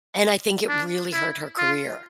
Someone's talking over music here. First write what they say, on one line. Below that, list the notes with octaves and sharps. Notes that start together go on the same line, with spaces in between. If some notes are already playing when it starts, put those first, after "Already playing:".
And I think it really hurt her career.
D4
E4
F4